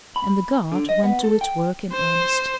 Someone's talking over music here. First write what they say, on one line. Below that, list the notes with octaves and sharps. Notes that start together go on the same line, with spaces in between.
And the Guard went to its work in earnest.
B5
D3
D#5
B3
A4
G5
C5